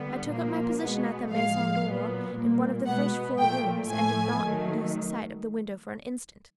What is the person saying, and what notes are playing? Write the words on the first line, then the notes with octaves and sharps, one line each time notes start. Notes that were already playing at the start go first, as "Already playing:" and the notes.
I took up my position at the Maison-d'or, in one of the first-floor rooms, and did not lose sight of the window for an instant.
Already playing: D3 G3 B3
A#2 F3 A#3
B2 G#3 B3
A2 F3 G#3 F5
A#2 F#3 B3
A#2 G3 A#3
B2 G#3 B3 F#5
A#2 F3 A3 G5
A2 F3 A3 G#5
D#3 F#3 A3